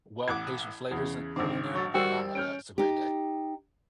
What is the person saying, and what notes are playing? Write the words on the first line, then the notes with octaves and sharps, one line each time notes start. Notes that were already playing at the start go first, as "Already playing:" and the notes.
well patient flavors in put in there. Oh my god, it's a great day.
A1 F#5 D6 G#6
E2 C#3
G#1 D3 D#3 C4 D6
F#3 C#6 E6 A6
G3 F#4 A#4 C5 G5 E6 C7
C#4 F6 G6 D7
D#4 G4